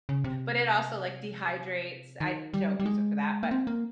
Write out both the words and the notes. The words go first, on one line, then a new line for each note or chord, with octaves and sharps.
but it also, like, dehydrates, I don't use it for that, but
C#3
C3
D#3
G3
G3
G#3
A#3
C4
A#3